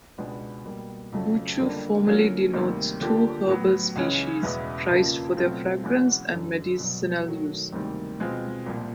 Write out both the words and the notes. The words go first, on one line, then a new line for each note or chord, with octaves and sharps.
Buchu formally denotes two herbal species, prized for their fragrance and medicinal use.
C#2 B2 G#3 B3 D4
B2 G3 A#3
F2 C#3 F#3 A3
F2 D3 G3 A#3 D4
D3 F#3 A#3 C#4 F4
D2 C3 D#3 G3 A#3
D3 F3 A#3 D4 G4
A2 F#3 B3
C#2 C#3 E3 G#3 C#4
E2 B2 G#3 B3 E4
F2 C#3 F3 A#3
B2 F#3 A3 C4 F4
E3 G#3 C#4 F#4
F#2 D3 F#3
C2 B2 F#3
D#3 F#3 A3
D2 C3 D#3 G3 A#3
B2 G#3 C4 F4
C2 A#2 F3